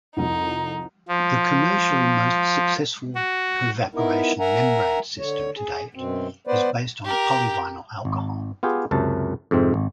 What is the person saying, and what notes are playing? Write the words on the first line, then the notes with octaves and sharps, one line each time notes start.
The commercially most successful pervaporation membrane system to date is based on polyvinyl alcohol.
C2 F2 D#4
F3
F#4
B3 D#4 E4 A#4
A#4 E5 F#5 G#5 A#5
D3 C#5
G#4
F#2 B2 C4
B3 B4 C5 D5
G4 A#4
G#1
B3 F4 G4 G#4
C#2 F#2 C3 A5
F2 G#2 C3 C4
G#1